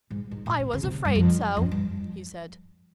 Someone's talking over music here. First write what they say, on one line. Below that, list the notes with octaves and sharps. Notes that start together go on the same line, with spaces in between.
"I was afraid so," he said.
G#2
G#2
A2
C3
C#3
C3
G2
F2
F2
G2